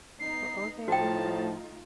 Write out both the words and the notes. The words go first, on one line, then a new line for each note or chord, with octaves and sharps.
Oh, okay. Uh
B3 D#4 C7
A2 F3 A3 D#4 F4 F#4 G5 A5